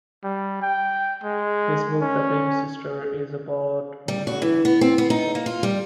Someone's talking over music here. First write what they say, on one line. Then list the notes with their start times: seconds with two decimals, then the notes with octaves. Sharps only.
His book "The Baby Sister" is about Maureen being born.
0.23 G3
0.62 G5
1.24 G#3
2.01 C#4
4.08 G3
4.27 F#4
4.42 E3
4.65 B3
4.81 C4
4.98 B3
5.10 D#4
5.35 A#3
5.46 F4
5.63 G3